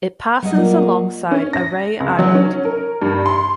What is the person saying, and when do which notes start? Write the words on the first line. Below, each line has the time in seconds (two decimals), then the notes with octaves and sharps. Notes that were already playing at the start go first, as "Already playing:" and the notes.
It passes alongside Arey Island.
0.42 F#3 G3 D#5
0.57 A#2
1.31 C#4
1.53 A#6
2.00 C#2
2.19 F#3
2.35 C#4
2.65 A#4
3.02 G2
3.26 C6